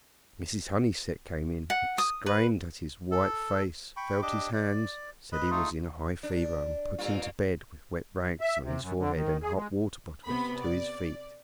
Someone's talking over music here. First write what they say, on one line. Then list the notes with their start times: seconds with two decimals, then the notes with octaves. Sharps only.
Mrs. Honeysett came in, exclaimed at his white face, felt his hands, said he was in a high fever, and put him to bed with wet rags on his forehead and hot-water bottles to his feet.
1.70 F#5
1.98 D#6
2.26 B4
3.11 A4
3.97 G5 B5 C#6
4.22 D4 G4 D#5 D6
4.53 D5
5.32 B4 D#5 B5
5.50 A3 D#4 F4 G#4
6.23 D4
6.98 G2 A#3 F4
8.41 E5
8.62 C3
8.81 F#2
8.98 D3
9.14 D#3
9.42 G#4
9.55 G#3
10.26 C3 B3 B5
10.60 D5